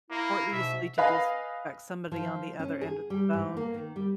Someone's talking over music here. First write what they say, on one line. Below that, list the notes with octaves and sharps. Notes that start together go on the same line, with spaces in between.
more easily to dis spect somebody on the other end of the phone
A#3 E4
G#2 B2 E5
B4 D#5 F5 G#5 B5
F3
C#4
G#4
G3
G#2
A#3
D#3
G3